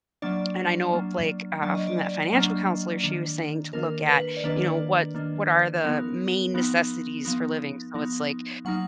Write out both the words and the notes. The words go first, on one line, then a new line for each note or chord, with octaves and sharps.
and I know of, like, uh, from that financial counselor, she was saying to look at, you know, what what are the main necessities for living. So it's like
F#3 A#3 D4 D5
F#3 A#3 D4
F#3 A#3 D4 D5
D#5
D5
F#3 A#3 D4
D#3 A#3 D4
D#3 A#3 D4 A#4
B4
D5
D#3 A#3 D4 B4
D#3 A#3 D4
F3 B3 D#4 A#4
F3 B3 D#4
F3 B3 D#4
F3 B3 D#4
F#3 A#3 D#4 F#5